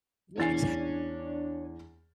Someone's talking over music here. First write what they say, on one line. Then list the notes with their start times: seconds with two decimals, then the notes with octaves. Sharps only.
Yeah, exactly.
0.38 E2 D4 C#5 G#5 A6 C7